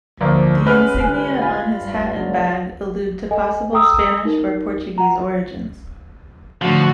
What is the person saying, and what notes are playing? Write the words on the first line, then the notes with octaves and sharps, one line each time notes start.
The insignia on his hat and bag allude to possible Spanish or Portuguese origins.
D2 F3 A#3 D4
G#3 B3 C#4 B4 F6
G1 C2 G#5
F4 B5
G2
F#1 F#3 D4
A4 D#5 G#5
A4 G5 A#5 D#6 E6
D#4 A#4
F#5 A#5
A2 D3 F3 F#4